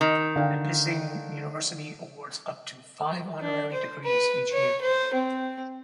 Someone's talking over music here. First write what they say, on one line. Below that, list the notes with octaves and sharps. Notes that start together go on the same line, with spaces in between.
Nipissing University awards up to five honorary degrees each year.
D#3
D3 F5 G5
D4
C5
B4
C#5
C5
C4